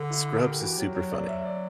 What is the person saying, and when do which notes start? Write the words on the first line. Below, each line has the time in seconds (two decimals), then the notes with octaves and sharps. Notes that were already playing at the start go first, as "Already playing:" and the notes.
Scrubs is super funny,
Already playing: D3
0.10 E4
0.35 A#4
0.48 G4
0.60 E3 F#4
0.73 F#3 G4
0.94 F#3
1.11 D5
1.28 E5
1.38 E5
1.45 D5